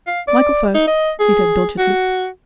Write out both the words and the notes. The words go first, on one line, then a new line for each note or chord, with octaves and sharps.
"Michael first," he said doggedly.
F5
D5
D#4
D#5
G#4
F#4